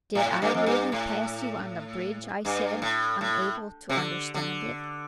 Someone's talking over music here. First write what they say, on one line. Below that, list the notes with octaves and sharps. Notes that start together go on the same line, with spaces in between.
"Did I really pass you on the bridge?" I said, unable to understand it.
A2
G2
F2
G2
A2
G2
A2
A2
C3
D3
D3